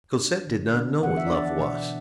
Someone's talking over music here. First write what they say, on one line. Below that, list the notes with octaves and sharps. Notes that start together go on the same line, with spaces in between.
Cosette did not know what love was.
D4
D3
B3 D4
E3 F#5
E5
D5
D4 E5
F#5
B2 E5